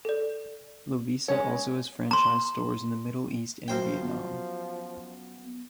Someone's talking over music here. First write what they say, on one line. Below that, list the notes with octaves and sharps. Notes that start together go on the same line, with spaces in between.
Lovisa also has franchised stores in the Middle East and Vietnam.
A4 D5
G#3 C#4 C#5
A#5 C6
F#2 F3 C5 G5
B3